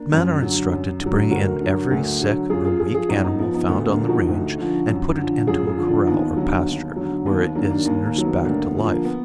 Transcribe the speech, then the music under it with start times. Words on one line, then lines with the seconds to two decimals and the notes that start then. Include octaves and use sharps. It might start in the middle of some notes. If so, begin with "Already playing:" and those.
The men are instructed to bring in every sick or weak animal found on the range and put it into a corral or pasture, where it is nursed back to life.
Already playing: A#3 D4
0.12 F#2
0.42 D3 F#3
0.72 F#2
1.01 D3 F#3
1.31 D2 F#4 A#4
1.61 D3 F#3
1.91 D2
2.20 D3 F#3
2.50 F#2 F4 G#4
2.65 F4 G#4
2.79 F3 F4 G#4
2.95 F4 G#4
3.09 F#2 D#4 F#4
3.24 B3 D#4
3.39 F3 B3
3.54 B3 D#4
3.69 D2 B3
3.89 A#3 D4
3.99 D3 F3
4.09 D#4 F#4
4.28 D2
4.58 D3 F3
4.88 F#2
5.17 D3 F3
5.47 F#2 F4 G#4
5.67 F4 G#4
5.77 D3 F3
5.87 D4 F4
6.07 D#2 B3 D#4
6.37 D3 F#3
6.66 D#2
6.96 D3 F#3
7.26 D#2 B3
7.55 D#3 F#3 A#3 D4
7.70 A#3 D4
7.85 D#2 A#3
8.05 A#3
8.15 D#3 F#3
8.25 B3
8.45 D2 A#3 D4
8.64 B3
8.74 D3 F3
8.85 A#3
9.05 B3